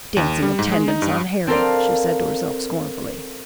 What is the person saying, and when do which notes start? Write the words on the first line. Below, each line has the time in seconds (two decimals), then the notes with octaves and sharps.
"Dancing attendance on Harriet," she said to herself scornfully.
0.17 D#2
0.42 G3
0.59 G#2
0.72 G#3
0.88 D#4
1.02 G2
1.47 C4 A4 A#4 C5 D5 F5